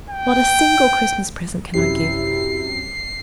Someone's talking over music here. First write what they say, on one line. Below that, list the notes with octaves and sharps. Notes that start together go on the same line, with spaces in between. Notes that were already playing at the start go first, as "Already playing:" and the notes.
Not a single Christmas present can I give.
G5
F#2 C3 E4 C7